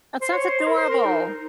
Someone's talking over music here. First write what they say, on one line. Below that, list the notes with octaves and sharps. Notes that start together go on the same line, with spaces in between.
That sounds adorable.
C5
C#5
C5
A#4
C5
A#4
D#4